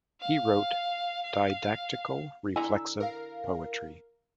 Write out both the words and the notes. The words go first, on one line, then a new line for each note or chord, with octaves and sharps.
He wrote didactical-reflexive poetry.
F5
F5
D3 E4 G#5 A#5 E6
A#4 F5